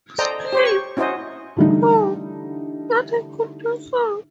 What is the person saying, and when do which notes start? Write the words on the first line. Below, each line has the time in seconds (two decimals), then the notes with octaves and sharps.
Sleep. Oh, that I could do so.
0.18 A4 C5 D5 D#5 G5 A#5
0.53 G4 C5 C#5
0.65 C#6
0.97 C#4 E4 F#4 C5 D#5
1.56 D3 E3 G3 A3 D#4